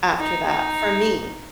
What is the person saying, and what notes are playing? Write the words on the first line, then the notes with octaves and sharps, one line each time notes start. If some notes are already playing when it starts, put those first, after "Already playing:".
after that, for me.
D#4
D#4